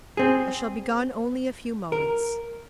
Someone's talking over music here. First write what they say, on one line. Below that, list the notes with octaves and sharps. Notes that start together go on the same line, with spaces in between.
"I shall be gone only a few moments."
C4 G#4
A#4